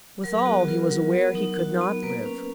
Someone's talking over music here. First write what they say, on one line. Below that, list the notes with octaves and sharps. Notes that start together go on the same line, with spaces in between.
Withal he was aware he could not live.
F#3 A#4
G#4
B3 F#4
F#4
F4 A#4
F#3
B3
D#4
F#4
B3
A#3 B4
C#4